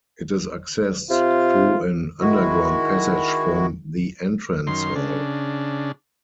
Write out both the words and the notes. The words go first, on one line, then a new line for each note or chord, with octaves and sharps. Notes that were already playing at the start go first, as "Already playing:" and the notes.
It is accessed through an underground passage from the entrance hall.
C3 F4
D#3 G#3 E4 F#4
F#2 D#3 C6
C#3 D4